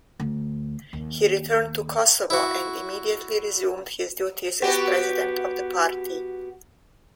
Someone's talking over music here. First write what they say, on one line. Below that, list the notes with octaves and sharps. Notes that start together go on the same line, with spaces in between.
He returned to Kosovo and immediately resumed his duties as president of the party.
D2
D#2
E4 F#4
B3 F#4 G4